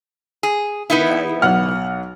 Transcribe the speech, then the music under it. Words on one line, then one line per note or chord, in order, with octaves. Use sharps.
Yeah, yeah.
G#4
B3 D#4 E4
B1 F#5 F6